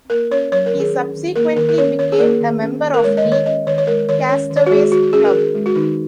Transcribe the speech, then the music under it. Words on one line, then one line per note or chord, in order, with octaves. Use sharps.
He subsequently became a member of the Castaways' Club.
A#3 A#4
C#4 C#5
F#3 C#5
A#4
D#3
G#4
C#4
D#3
A#3 A#4
D#3 A#4
A#4
C#4 C#5
D#3 C#5
G#4
A#3 A#4
D#3
C#4
D#3
A#4
G#3 C#5
D#5
D#3
C#5
C#4 D#5
D#3 C#5
C#5
G#3 A#4
D#3 C#5
C#4 C#5
D#3
C#5
F#4
G#3 G#4
D#3 F#4
C#4 G#4
A#4
D#3 G#4
G#3
F#4
D#3 D#4